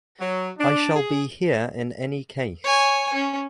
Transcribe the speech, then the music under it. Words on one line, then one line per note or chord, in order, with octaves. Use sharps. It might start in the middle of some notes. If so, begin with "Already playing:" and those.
I shall be here in any case.
F#3
D4
G#4
C#5 G#5
C#4